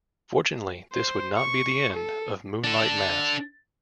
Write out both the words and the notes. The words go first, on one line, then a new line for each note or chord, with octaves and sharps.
Fortunately, this would not be the end of Moonlight Mask.
C5
C#6
A4
D4 A4